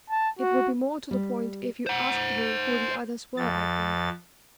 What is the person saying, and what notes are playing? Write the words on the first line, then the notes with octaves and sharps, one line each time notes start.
"It would be more to the point if you asked me who the others were, I think."
A5
F#4
G3
C5 F#5
F2 A6